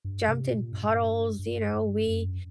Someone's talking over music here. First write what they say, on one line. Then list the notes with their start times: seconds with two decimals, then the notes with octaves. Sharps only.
jumped in puddles, you know, we
0.05 G2
0.28 C3
0.50 A#2
0.72 G2
1.39 G2
1.74 G2
2.07 F#2